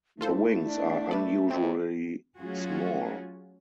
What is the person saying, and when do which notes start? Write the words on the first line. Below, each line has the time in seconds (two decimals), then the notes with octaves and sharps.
The wings are unusually small.
0.21 A3 E4 F4 A4 C5
0.67 D4
1.11 B4 D5 E5
1.51 F2 C4
2.37 F#3 A3 C#4 F4 F#4 G#4